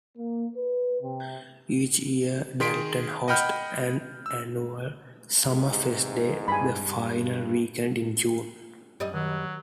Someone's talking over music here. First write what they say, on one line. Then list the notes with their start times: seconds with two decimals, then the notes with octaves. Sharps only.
Each year, Dalton hosts an annual "Summerfest Day" the final weekend in June.
0.17 A#3
0.55 B4
1.01 C3
2.60 D#3 G#4 C6 B6 D7
3.28 D#5 F#5 G5 B5 F6 G6
4.26 E6
5.45 E2 G#2 C3
6.48 G2 G#5 B5
9.00 F#2 G3 D#5
9.14 D#3 F#3